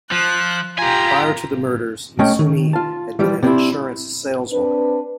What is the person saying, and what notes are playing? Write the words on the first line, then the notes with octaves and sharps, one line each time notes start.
Prior to the murders, Masumi had been an insurance saleswoman.
F3 F#6
F4 G4 G#5 A#5
B1 A3 C#4 D#5 G5
D#3
F4 A5
E3 F3 G3
C3 C4 D4 E4
C4 D4 B4